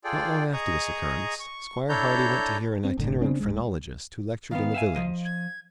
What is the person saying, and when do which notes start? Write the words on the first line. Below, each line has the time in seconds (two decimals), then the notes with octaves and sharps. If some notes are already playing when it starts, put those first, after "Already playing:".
Not long after this occurrence, Squire Hardy went to hear an itinerant phrenologist who lectured in the village.
0.04 F4 G#4 A4 D5 G5
0.53 G#4 D#5 A#5 C#6 D#6
1.40 C#6
1.89 D4 E4 A4 C#5 A#5 G6
2.84 C4
2.98 F#1 A2 D3
3.21 C#3 B3 C4 D4
3.40 D1 G#3
4.51 D#3 B3 F5
4.74 E5 F#5 G#5
4.96 F3 D#5
5.25 G#6